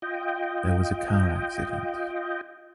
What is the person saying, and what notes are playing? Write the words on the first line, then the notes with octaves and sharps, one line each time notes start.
There was a car accident.
F4 D#5 G5